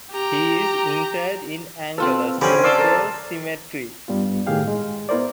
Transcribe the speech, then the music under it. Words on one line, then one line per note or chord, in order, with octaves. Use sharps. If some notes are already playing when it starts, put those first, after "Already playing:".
He is interred in Angelus-Rosedale Cemetery.
G4 A#5
C4 F4 A4 B4
D3 C4 C#4 G4 G#5 B5
D5 F5 A5 C6 D6 E6
A4 A#4 A#5
G2 G3 B3 F4
A2 D#3 G4 G#4 F5 G5
G#2 G#3
B3 E4 A#4 C5 D5